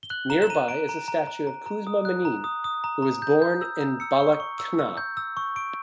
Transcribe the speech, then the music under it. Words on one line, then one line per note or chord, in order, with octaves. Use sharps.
Nearby is a statue of Kuzma Minin, who was born in Balakhna.
G7
F#6 F#7
A#5 E7
E7
A#5 D#7
A#5 D7
A#5
A#5
A#5
A#5
A#5
D#6
F#6
A#5
D#6
D#6
A#5
A#5
G6
G6
E6
A#5
E6 C#7
C#6
C#6
E6
E6
G6
E6
C#6
C#6 D7